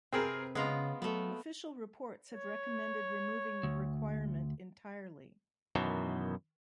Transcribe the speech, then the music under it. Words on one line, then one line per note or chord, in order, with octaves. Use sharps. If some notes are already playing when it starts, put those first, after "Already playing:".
Official reports have recommended removing the requirement entirely.
C3 C4 G#4 A#4 B4
C#3 G#3 B3 F4 A#5
F#3 A3 B3
C#5
D2
F#2 B2 D#3 E3